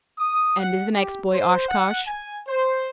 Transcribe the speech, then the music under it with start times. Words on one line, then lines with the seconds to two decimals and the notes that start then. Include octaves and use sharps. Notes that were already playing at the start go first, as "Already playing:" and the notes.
"And is the next boy Oshkosh?"
0.19 D#6
0.59 F#5
0.94 G4
1.34 C5
1.69 F#5
2.08 G#5
2.48 C5